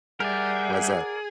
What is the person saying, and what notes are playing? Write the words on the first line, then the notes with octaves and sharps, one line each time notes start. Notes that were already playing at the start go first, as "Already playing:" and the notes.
Why's that?
G3 G#4 A#4 D5 E5 F#5 G6